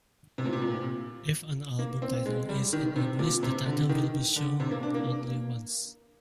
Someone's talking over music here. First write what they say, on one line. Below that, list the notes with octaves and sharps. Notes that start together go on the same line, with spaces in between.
If an album title is in English, the title will be shown only once.
C3
A#2
C3
A#2
A#3
C4
G#3
G3
D#3
C3
A#2
C3
D3
D#3
D3
C3
A#3
D4
A#3